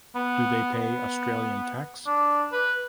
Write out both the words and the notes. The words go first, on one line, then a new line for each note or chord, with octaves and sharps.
Do they pay Australian tax?
B3
B3
D4
B4